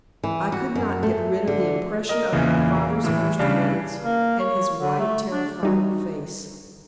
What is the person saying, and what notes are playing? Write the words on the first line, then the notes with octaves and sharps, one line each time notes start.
I could not get rid of the impression of my father's first words, and his white, terrified face.
E3
F#4
F#2
A3
D3
A#4 D#5
E2 A#2 C#3 E3
A#3
A2 E3
C#3 G3 D4
A#3
C#5
D3
A3
D4
G3 D#4 F#4